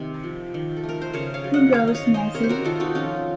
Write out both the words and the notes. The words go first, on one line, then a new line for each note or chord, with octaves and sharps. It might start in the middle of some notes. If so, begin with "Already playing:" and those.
Who Goes Nazi?
Already playing: C3 D#3 C5
F3
D#3
A4
A3
A#4
C5
C#3 A#4 C#5
C#5 F5
F#3
D#5 F#5
D#3 C#5 F5
D#5
C#5 F5
D#3
C5 D#5
C3 A#4 C#5
C5
F#4 A#4
D#3 F4 A4
D#4 F#4
F3 C#4 F4